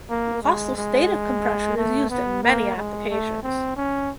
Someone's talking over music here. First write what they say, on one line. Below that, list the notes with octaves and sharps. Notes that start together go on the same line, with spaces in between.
Lossless data compression is used in many applications.
A#3
G#3
G#3
A3
B3
A#3
G#3
A3
C4
C#4